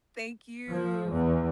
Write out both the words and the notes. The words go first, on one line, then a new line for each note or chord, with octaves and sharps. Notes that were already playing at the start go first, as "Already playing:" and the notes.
Thank you.
F3
E2